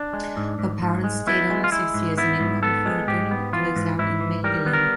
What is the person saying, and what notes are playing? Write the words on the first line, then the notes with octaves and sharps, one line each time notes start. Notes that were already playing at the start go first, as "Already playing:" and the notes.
Her parents stayed only six years in England before returning to exile in Mechelen.
Already playing: D4
G#3
G#2
G#2
G#2
G#3
B3 E4
G#3
F4
G#3 E4
G#2
B3 E4
G#2
B3 A4
G#3
G#2 G4
B3
E3 F4
G#2
G#2 E4
E3
G3 A#4
B3
A#4